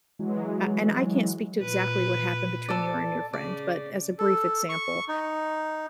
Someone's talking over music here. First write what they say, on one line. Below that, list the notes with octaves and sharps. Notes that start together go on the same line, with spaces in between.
uh and I can't speak to exactly what happened between you and your friend, but, as a brief example,
E3 F#3 G#3
A#2 B4
A4 D5
C#3 D5
A4
C#6
D#4